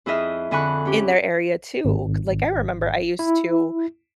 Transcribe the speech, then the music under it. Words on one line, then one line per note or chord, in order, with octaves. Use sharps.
in their area too, 'cause, like, I remember I used to
F2 E4 G#4 D#5 E5 F6
F2 D3 G#5 B5 C#6 F#6
C#4 G4
G#1
E4